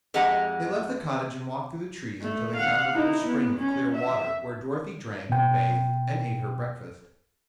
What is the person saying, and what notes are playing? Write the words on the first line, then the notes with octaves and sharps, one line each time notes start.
They left the cottage and walked through the trees until they found a little spring of clear water, where Dorothy drank and bathed and ate her breakfast.
F2 G#3 G4 D#5 F#5 A#5
A3
F5 F#5
D#4 E4
B3
C#4
E5
B2 G5